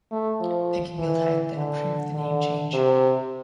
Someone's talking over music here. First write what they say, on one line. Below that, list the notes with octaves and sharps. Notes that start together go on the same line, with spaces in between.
Peggy Wilhide then approved the name change.
A3
F3
E3
D3
D3
C3